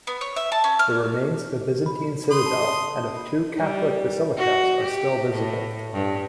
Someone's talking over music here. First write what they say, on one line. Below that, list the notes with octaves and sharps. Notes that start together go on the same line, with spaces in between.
The remains of a Byzantine citadel and of two Catholic basilicas are still visible.
B3
C#5
E5
A5
C#4
F6
B5
B5 C6 D#6
A5
G3
F#4
G4
A2
G2